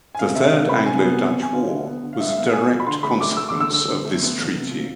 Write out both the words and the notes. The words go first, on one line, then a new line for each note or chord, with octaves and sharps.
The Third Anglo-Dutch War was a direct consequence of this treaty.
G#5
C3 F5
C3 E5
G#3 F5
C3 B5
C3 G#5
B3
C3
C3
G#5
D3 F5
D3
B3
D3
F5
D3 E5
E5
B3 F5
B3 G#5
F3
B5
D3 C6
A3 B5
A3 D6
A3 E6
D6
D3
E6
D3
D3
A3
B3
B3
C3
F3